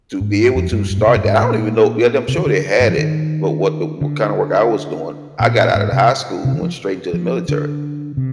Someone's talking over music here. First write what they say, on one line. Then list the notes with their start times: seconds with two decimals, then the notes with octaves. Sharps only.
to be able to start that I don't even know yeah, I'm sure they had it, wh what the w the kinda work I was doing, I got outta the high school, went straight into the military,
0.21 G#2
0.55 F2
0.72 G2
0.90 G2
0.98 A#2
1.07 C3
1.16 G2
1.24 G#2
1.42 A#2
2.28 C3
2.38 D#3
2.46 D3
2.80 G#2
2.89 F3
2.98 D#3
4.01 D3
5.40 A#2
5.75 G#2
5.92 C3
6.45 C3
6.53 D#3
6.62 F3
7.13 F3
7.49 D3
8.17 C3